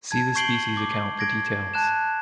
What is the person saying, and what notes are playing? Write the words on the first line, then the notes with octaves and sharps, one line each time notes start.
See the species account for details.
A5 G#6
C#6 G6 C7 D7 F#7 G7
D6
G#6 A#6 D7
A5 F#6 G#6 E7